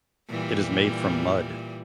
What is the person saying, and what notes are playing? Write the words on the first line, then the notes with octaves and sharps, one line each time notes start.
It is made from mud.
A#2 E3 G3